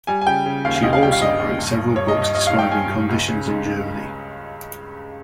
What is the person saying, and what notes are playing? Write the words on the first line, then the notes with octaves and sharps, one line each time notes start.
She also wrote several books describing conditions in Germany.
G3 G#5
G#5
C#3 G5
C#3
D#2 F5
F5
D#2 D#5
F5
G3 G5
F5
C#3 D#5
D#2
G2
G2
G2 C#5
D#5
G2
D#5
G2 D#5
F5
G2
G5
G2 G#5
G2
C#2
C#3
G#3
G#3